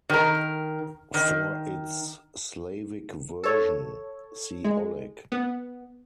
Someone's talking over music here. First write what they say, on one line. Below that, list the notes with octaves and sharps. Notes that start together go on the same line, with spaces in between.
For its Slavic version, see Oleg.
D#3 A#4
D#3
A4 C#5
G#3
B3